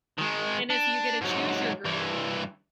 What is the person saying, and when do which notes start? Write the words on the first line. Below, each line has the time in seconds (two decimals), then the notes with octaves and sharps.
and if you get to choose your group,
0.18 D#3 G#3
0.70 D4
1.21 G#2 F#3
1.85 G2 E3